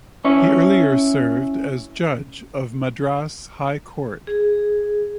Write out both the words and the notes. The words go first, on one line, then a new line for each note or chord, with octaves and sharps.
He earlier served as Judge of Madras High Court.
C#4 E4 C#5
G#4